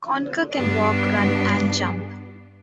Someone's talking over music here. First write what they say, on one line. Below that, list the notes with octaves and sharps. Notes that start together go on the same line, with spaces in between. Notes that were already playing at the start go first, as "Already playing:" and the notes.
Conker can walk, run, and jump.
G2 B3 D4